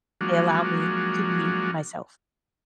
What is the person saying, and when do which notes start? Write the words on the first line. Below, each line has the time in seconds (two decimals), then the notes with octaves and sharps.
they allow me to be myself.
0.21 F3 F#3 G#3 A#3 D4 F#4